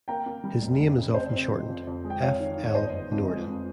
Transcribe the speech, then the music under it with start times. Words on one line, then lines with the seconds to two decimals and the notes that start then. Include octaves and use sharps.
His name is often shortened "F. L. Norden".
0.08 A#3 G5 A#5
0.26 A#3
0.44 G3
0.62 F1
0.80 F1
0.97 C#3
1.14 C4 C5 D#5
1.33 C4
1.50 F3
1.69 F2
1.87 F2
2.05 G#3
2.10 G5
2.21 F2 C#5 F5
2.40 D#3
2.57 D#3
2.65 C#5
2.75 G1 C5 D#5
2.93 G1
3.11 F2
3.29 G#3
3.47 F2